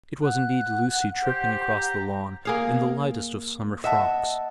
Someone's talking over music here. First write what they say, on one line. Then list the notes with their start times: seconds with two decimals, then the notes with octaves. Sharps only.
It was indeed Lucy tripping across the lawn in the lightest of summer frocks.
0.23 F#5 F#6
1.24 G4 C5
1.76 A#5
2.45 A#3 G#4 F5
3.84 D#5 E5 F#5 A5